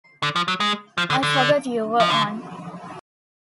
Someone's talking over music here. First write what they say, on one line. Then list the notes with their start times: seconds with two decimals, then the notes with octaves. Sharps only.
I forgot you were on.
0.23 D3
0.36 F3
0.48 F#3
0.60 G#3
0.98 F3
1.10 D3
1.23 D3
2.00 F3
2.10 D3